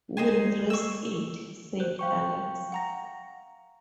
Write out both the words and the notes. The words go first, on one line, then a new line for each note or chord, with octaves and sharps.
"We'll risk it," said Alex.
D#4 C5 G#5
C#6 E6
C5 F#6
F5 G5 C#6
F#5 A#5 A#6